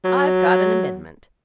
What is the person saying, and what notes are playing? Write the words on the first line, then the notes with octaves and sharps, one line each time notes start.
I've got an amendment.
F#3